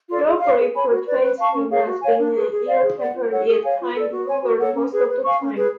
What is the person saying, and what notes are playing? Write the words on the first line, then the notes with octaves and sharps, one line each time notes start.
Geoffrey portrays him as being an ill-tempered yet kind ruler most of the time.
F4 A4 D5
G#4
C#5 F5
G#4
C#5 G#5 B5
F#4
B4 D5
B4
F5 A5 C#6
C#4
G#4 C#5 F5
F#4
C#5 F5 G#5
D4
G#4 B4
G#4
D5 F5
G#4
D5 F#5
F4
A4 C#5 F#5
G#4
C#5 F5 G#5
F4
A4 D5
F#4
C#5 G#5
F#4
A4 C#5 F#5
C#4
G#4 B4
B4
F5 G#5 C#6
C#4
G#4 B4